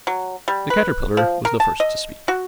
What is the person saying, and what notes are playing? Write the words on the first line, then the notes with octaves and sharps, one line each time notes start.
The Caterpillar was the first to speak.
F#3
G3
B4
F3
A#4
A5
D#5
F#4